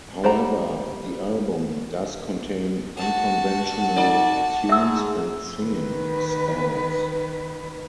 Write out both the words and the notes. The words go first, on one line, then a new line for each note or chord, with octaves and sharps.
However, the album does contain unconventional tunes and singing styles.
G3 C5 F#5 A#5
F#4 F#5 A5
D#4 D5
G#2 E5 E6
D#3 B4